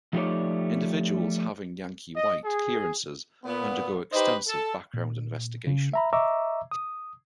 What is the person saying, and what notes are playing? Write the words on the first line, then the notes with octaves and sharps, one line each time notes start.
Individuals having Yankee White clearances undergo extensive background investigation.
F3 G3 A3 D#4 C#5 D5
D#5
G#4
A#2 B3
D#4 G4 B4 C5 D#5
A4
A#2
C#3
E5 A#5 B5
D#5 E5 A#5 C#6 D6 E6
D#6